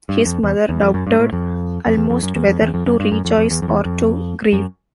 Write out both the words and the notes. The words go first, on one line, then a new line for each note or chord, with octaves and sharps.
His mother doubted almost whether to rejoice or to grieve.
G2
F2
E2
E2
F2
F#2
G2
A2
F2
F2
E2
F2
F#2
E2
F2
E2
F2
F#2
G2
F#2
F2
F2
E2
F2
E2
F2
F#2